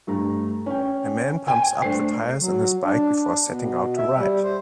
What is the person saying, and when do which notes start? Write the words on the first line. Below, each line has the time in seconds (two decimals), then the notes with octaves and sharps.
A man pumps up the tires in his bike before setting out to ride.
0.07 G2 A3 A#5
0.66 C#4 G5
1.47 G5 G#5
1.82 A3 D4 C5 C7
2.40 F#3
2.84 D4
3.43 B2
3.97 E5
4.16 G3
4.43 C5